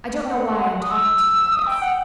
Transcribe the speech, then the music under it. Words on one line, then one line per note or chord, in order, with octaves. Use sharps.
"I don't know why I am talking to you like this."
G5
F#5
F#5
D#6
E6
D#6
G5
F#5